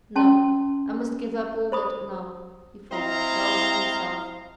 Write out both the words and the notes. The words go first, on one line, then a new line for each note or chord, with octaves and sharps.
"No, I must give up all that now," he thought, rousing himself.
C#4 A5 C6
C5 B5 D#6
C4 E4 C5 D#5 F5 A#5